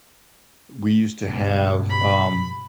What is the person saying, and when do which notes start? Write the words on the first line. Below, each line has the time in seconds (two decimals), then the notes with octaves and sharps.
we used to have um,
1.22 C#2 G2 B2
1.90 B5